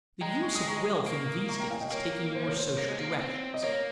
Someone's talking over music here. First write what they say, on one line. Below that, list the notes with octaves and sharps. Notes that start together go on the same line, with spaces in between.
The use of wealth in these days is taking more social directions.
G#3 G5 A#5
C#6
D#6
A#5 C#6
A#3
A#5 C#6
G5 A#5
F5 G#5
D#5 G5
A#3 C#5
C5
C#5
C5
C#5
A#3
G#3
A#3
C4
D#5
A#3 C#5